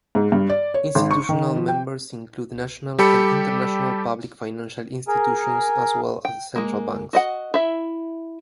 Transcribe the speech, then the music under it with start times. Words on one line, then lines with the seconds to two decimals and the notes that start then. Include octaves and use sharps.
Institutional members include national and international public financial institutions as well as central banks.
0.15 G#2
0.32 G2
0.50 D5
0.74 C#5
0.95 G#1
1.11 C#6
1.29 D#3
1.56 F3
1.68 G5
2.99 G3 G4 A4 B5 C#7
5.08 G#4 A#4
6.25 G5
6.56 G#3 A#3
7.13 F#4 D#5 F#5
7.54 E4 E5